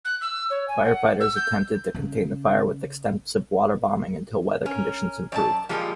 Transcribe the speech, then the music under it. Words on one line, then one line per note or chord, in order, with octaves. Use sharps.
Firefighters attempted to contain the fire with extensive water bombing until weather conditions improved.
F#6
E6
C#5
G#5
F#5
E6
G6
C#3
C#4 A#4
F#2 D5 D#5 A5
A#2 F3 G3 G#3 F4 A#4